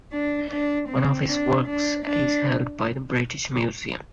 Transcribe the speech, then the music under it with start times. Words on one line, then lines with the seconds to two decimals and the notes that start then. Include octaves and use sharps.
One of his works is held by the British Museum.
0.12 D4
0.51 D4
0.88 C4
1.28 D4
1.66 D4
2.05 D4